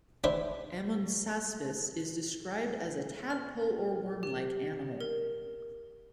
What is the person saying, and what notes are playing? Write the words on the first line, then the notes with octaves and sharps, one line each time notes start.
"Emmonsaspis" is described as a tadpole or worm-like animal.
D4 B4 C5 E5
F6
G4
A#4